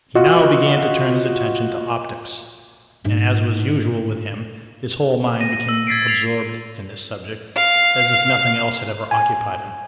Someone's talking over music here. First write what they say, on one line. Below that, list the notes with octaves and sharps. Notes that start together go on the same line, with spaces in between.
He now began to turn his attention to optics, and, as was usual with him, his whole mind became absorbed in this subject as if nothing else had ever occupied him.
F4 F#4 D#5
G#2 D#4
A#6 D#7
E6
G#6 A6 B6 C7 D7
B6 C7 F7
F5
G#5